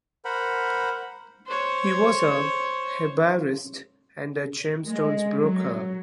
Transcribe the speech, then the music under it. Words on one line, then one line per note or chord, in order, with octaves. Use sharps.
He was hebraist and gemstones broker.
A#4 C5 F#5 B5
C5 C#5
G#3
F#3